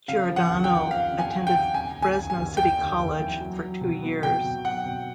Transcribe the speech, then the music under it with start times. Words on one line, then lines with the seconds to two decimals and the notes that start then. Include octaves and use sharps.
Giordano attended Fresno City College for two years.
0.08 C#3 F5
0.29 F3
0.36 F#5
0.50 D#2
0.64 G5
0.71 D#2
0.91 F3 F5
1.12 C#3
1.19 G#5
1.33 F3
1.47 G5
1.54 D#2
1.74 C#3 G#5
1.95 D#2
2.02 G#5
2.16 D#2
2.30 G#5
2.37 D#2
2.57 D#2 G5
2.78 D#2
2.99 D#2
3.19 E3
3.40 F#3
3.61 F#3
3.81 B2
4.02 B3
4.23 B2 G5
4.44 B2
4.65 F#3 F#5
4.86 B2